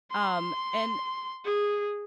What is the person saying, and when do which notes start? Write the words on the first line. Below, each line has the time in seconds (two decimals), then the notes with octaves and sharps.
Um, and
0.11 C6
1.45 G#4